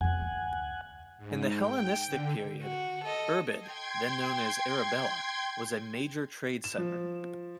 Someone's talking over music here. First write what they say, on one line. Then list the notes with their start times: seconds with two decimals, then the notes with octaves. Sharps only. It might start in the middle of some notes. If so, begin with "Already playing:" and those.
In the Hellenistic period, Irbid, then known as Arabella was a major trade center.
0.01 F2 B3 F#5 G#5
0.21 D2
1.18 G#2
1.58 G5
2.07 D3
2.62 F#4
3.04 A4 D#5
3.59 G5 C6 G#6
6.64 E7
6.78 F3